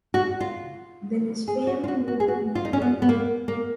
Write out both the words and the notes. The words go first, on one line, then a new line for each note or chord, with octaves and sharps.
Then his family moved to Montreal.
F#4
F4
G#4
F#4
F4
F#4
F#4
G#4
F#4
F4
D#4
C#4
B3
B3
A#3
A#3